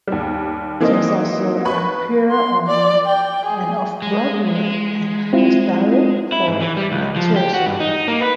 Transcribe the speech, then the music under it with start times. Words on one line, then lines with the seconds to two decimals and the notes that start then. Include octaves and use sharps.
She has also appeared on and off-Broadway, and has directed for the theater.
0.08 D#2 G3
0.80 E3 A#3 C4 D#4 D#5
1.65 B4 B5 C#6
2.31 C6
2.68 D5
3.06 G5
3.46 G#4
4.02 G#3
5.33 C4 E4 F4
6.32 E4
6.48 G#2
6.61 E3
6.77 G3
6.92 C#2
7.16 F3
7.36 G4
7.54 F#4
7.66 G2
7.80 D#4
8.08 A#3
8.21 B4